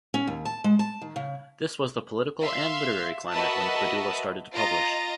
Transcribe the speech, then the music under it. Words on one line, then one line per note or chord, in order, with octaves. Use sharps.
This was the political and literary climate when Koidula started to publish.
C#4
D#2
A5
G#3
A5
D#3
C#3
E5 F5 C6
F#4 A#4 B4 D#5 E5 A5
F4 D#5 A#5 A6 A#6